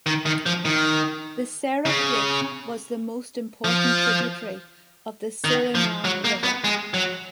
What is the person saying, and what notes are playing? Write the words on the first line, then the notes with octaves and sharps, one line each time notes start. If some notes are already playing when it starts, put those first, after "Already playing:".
The Sara Creek was the most important tributary of the Suriname River.
D#3
D#3
F3
D#3
C#3
F3
D#3
F3
F#3
A#3
B3
G#3
F#3